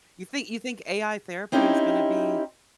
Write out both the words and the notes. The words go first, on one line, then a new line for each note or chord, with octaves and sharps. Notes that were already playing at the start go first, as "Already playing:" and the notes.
You thi you think AI therapy is gonna be
C4 C#4 D#4 E4 G4